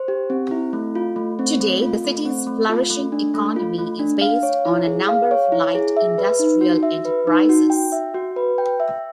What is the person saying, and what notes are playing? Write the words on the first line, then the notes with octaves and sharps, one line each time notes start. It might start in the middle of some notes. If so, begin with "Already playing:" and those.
Today the city's flourishing economy is based on a number of light industrial enterprises.
Already playing: C5
G4
C4
E4
A3
F4
A3
C4
A3
F4
A3
C4
A3
F4
A3
D4
A3
F4
A3
D4
F5
C#5
E4
G#4
F5
C#5
E4
G#4
E5
B4
D#4
F#4
E5
B4
D#4
F#4
G5
E5
F#4
B4
G5
E5